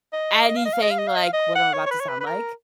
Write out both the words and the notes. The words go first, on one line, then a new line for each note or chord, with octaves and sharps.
Anything like what I'm about to sound like.
D#5
D#5
F5
D#5
F5
D#5
F5
D#5
F5
D#5
F5
D#5
F#5
C#5
C#5
B4
C#5
B4
B4
A#4